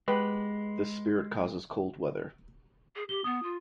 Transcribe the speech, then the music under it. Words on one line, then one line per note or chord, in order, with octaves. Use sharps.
This spirit causes cold weather.
G#3 B3 G4 B4
G#4
G4 G7
B3 D#6
F4